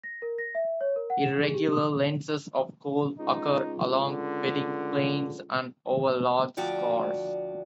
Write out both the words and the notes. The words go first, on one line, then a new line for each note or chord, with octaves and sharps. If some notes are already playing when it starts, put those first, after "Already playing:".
Irregular lenses of coal occur along bedding planes and over large scours.
A#6
A#4
A#6
E5
C#5
A#4
F#5
E7
G#4
G4
D#6
C#2 D#4
D3
D2 F3 F#4 D5 G5